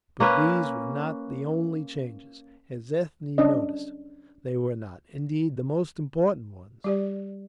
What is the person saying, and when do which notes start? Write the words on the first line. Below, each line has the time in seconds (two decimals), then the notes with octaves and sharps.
But these were not the only changes, as Ethne noticed; they were not, indeed, the most important ones.
0.20 A#3 C#4 B4
3.38 C#4 D4 D#5
6.84 G3 G4 D5